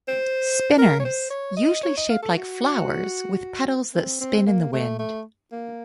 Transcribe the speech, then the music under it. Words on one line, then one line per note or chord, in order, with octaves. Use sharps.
Spinners: Usually shaped like flowers with petals that spin in the wind.
C5
A#4
C#5
C5
C#5
D#5
C#5
D#5
F5
A4
F#4
C4
C4
A#3
A3
A3
A#3